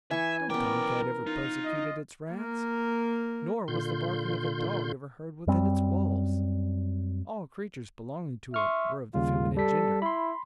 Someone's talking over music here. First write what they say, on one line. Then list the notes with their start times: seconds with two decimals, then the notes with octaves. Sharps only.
No tom-cat ever persecuted its rats, nor was the barking of a dog ever heard within its walls; all creatures belonging to it were of the feminine gender.
0.11 E3 E5 G#5 C#6
0.50 B1 B3 C#4 A#4 D5 G5
1.27 D#4 F4
1.65 D#5
2.30 A#3 A#4
3.68 A#2 D3 F4 C6 G6
5.47 F#2 G3 C4
8.54 E5 C6 C#6 F6
9.14 D#2 C#3 G3 F4
9.57 G3 A4 B6
10.02 E4 B5 C6